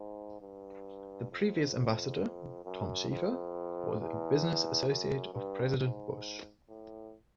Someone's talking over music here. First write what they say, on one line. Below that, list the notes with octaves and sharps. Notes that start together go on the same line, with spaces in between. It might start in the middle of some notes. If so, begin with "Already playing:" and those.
The previous Ambassador, Tom Schieffer, was a business associate of President Bush.
Already playing: G#2
G2
F2
F#2
F2
E2
F#2
G2
G#2
A2